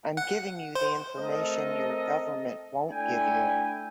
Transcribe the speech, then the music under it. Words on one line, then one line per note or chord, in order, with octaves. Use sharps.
I'm giving you the information your government won't give you.
F#5
C5
A3 C4 A4 A#4 D#5
A3 D4 E4 G5 G#5